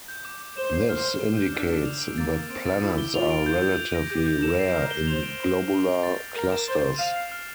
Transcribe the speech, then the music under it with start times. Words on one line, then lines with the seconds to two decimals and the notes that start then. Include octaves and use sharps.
This indicates that planets are relatively rare in globular clusters.
0.08 G6
0.25 D6
0.41 D6
0.57 C5 E7
0.73 C7
0.89 C5 F6
1.05 G7
1.22 C7
1.37 G6
1.54 D4 E6
1.69 E7
1.85 F7
2.01 D7
2.18 A#3 A6
2.33 A6
2.50 C4 D7
2.66 A6
2.82 E4 D6
2.98 G7
3.14 F4 F7
3.30 D7
3.46 G6
3.62 G6
3.78 F7
3.94 A#6
4.10 G4 G6
4.26 G6
4.42 A4 E7
4.59 C7
4.75 A#4 F6
4.91 G7
5.07 C5 F7
5.23 D7
5.39 C5 G6
5.55 G6
5.71 G7
5.87 E7
6.03 A6
6.19 A6
6.35 A#4 G7
6.51 E7
6.68 C5 A6
6.84 A6
6.99 F5 F7
7.16 C7
7.32 F6